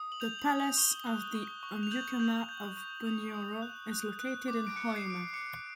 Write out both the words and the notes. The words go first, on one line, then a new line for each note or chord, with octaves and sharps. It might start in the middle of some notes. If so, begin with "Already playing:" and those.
The palace of the Omukama of Bunyoro is located in Hoima.
Already playing: D#6
F#7
G6 F7
F#7
D#6
F#7
C#6 G7
F#6
C#6
C#6
F7
G6 F#7
G6
G6
C#6
D#6 F7
D#6
F#6
F#6
F#6
D6
D7
F#6 C#7
C7
D6 D7
C#7
D6 C#7